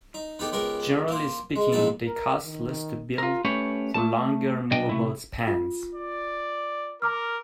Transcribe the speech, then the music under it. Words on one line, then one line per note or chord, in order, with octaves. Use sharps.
Generally speaking they cost less to build for longer moveable spans.
D#4
B3 D#4 G4 A4
C#2 B3 G4 G#4 A#4
A#3 C5
G#3
A1 F2 G#3 D#4 E4 A5
A#4
D#3
F4 A#4
A3 C#4 G4 B4 C#5
A3 A5
B1 B2 D4 D#5 G5
C3 A3 E4
F4
D5
A#4 A#5 D6 F6